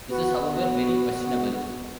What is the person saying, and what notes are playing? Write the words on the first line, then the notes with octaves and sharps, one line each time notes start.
This is, however, very questionable.
B3 F#4